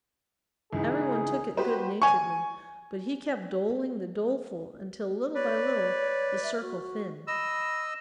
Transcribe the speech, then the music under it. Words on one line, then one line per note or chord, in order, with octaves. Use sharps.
Every one took it good-naturedly, but he kept doling the doleful until little by little the circle thinned.
C#2 E3 D#4 G#4
F#4 G4 B4 C5
G#5 C#6
B4 C#5 D5
E5
F#4
D#5 B5 E6